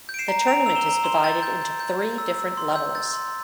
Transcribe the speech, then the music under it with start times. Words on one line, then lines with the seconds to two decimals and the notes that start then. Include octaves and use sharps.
The tournament is divided into three different levels.
0.09 G6
0.14 D7
0.19 C7 E7
0.28 A#5
0.47 A#5 D7 F7
0.66 E6 F7
0.75 E7 G7
0.86 A#5
1.04 C6 E7 G7
1.24 G6 A6
1.43 G6 A6
1.61 G6
1.80 G6
1.99 G6
2.18 E6
2.38 E6
2.57 C6
2.76 E6 G6
2.95 G6 A6
3.13 C6